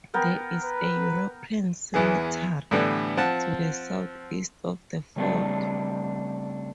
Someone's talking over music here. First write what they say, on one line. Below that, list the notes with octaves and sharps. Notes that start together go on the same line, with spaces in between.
There is a European cemetery to the southeast of the fort.
B3 A#4 G5
B4
E2 E3 B3 G#4
A2 D3 E3 G3 B3 D4
F3 C4 F#5 A5
C#3 G3 A3 C4 D4